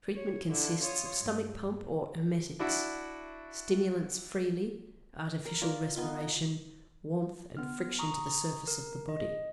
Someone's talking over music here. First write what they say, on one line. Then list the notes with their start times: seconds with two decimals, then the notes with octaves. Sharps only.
Treatment consists of stomach-pump or emetics, stimulants freely, artificial respiration, warmth and friction to the surface of the body.
0.15 C#5
0.49 D3 E4
0.81 F4 C#5 D#6
1.20 G2
2.59 D4 E4 F#4 E5
5.45 A#4
5.62 F4 D5
5.96 B3 D#4 F4
6.21 A#5
7.57 B3 F6
7.99 A#5 C#6 D#6
8.67 A#4
9.09 D#5